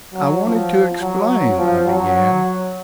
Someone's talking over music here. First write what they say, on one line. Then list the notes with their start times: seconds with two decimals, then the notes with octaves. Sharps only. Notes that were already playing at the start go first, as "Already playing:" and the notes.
"I wanted to explain--" I began.
0.15 F#3
0.43 F3
1.01 F#3
1.29 F#3
1.58 F3
1.87 F#3